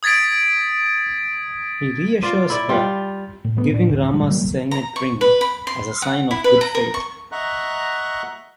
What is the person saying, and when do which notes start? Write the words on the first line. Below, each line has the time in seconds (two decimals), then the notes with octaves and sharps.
He reassures her, giving Rama's signet ring as a sign of good faith.
0.03 D#6 G#6 A6 B6 D7
2.22 F4 D5
2.50 E4 D5
2.69 G3 F4
3.45 A2
3.57 F3 A3 B3
3.71 A2 D4
3.88 D1 A1 D#2 D3
4.14 A2 E3 G3 G#3
4.29 D#3 F#3 G3 A#3
4.71 A#5
4.96 C#6
5.21 B4
5.41 B5
5.67 C6
6.02 F#5
6.31 E4
6.44 B4
6.61 A#5
6.75 A#4
6.94 C#6
7.32 D#5 E5 F#5 A#5 C#6 F#6